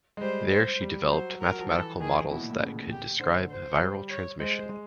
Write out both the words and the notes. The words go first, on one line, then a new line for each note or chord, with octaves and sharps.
There she developed mathematical models that could describe viral transmission.
G#3
G3 C5
C5
G3
F#3 C5
A#4
F#3
F3
E3 A4
D#3 G#4
B2 E4
A#2
A2
C#3
G4
D3 C5
C5
G3
C#5
G#3 C5
G#3